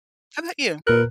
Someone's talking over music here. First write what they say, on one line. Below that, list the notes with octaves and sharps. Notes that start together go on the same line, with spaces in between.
How 'bout you?
A#2 A#4 B4 F#6